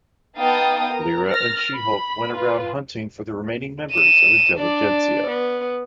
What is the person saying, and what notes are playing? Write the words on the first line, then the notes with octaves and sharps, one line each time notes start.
Lyra and She-Hulk went around hunting for the remaining members of Intelligencia.
B3 D#4 F5 G5 A5 D#6
A#4 A#5
F6 A6 A#6
B5
F4 B4
D#7 E7
D4 D5
B3